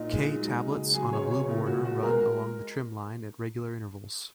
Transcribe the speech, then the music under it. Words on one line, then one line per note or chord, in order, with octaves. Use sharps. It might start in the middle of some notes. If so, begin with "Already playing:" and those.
"K" tablets on a blue border run along the trim line at regular intervals.
Already playing: A#2 D#4
G#3
F#3
C#3
F#3 G#4
C#5
C#3
C#5
A#2
F#4
G#3
F#4
G#3 A#4